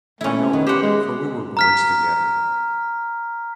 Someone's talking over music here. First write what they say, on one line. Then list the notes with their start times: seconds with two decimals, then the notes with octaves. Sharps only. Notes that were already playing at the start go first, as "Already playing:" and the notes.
I know it, for we were boys together.
0.21 A3 C#4 E4
0.53 D#3 B3
0.67 G4 C5 F#5
0.83 G#3
1.57 A#5 F6 B6